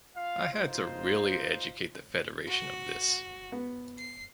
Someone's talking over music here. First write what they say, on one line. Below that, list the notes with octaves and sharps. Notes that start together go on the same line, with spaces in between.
I had to really educate the federation of this.
F4 F5
D#4 F4 C5
F#4
B3
C7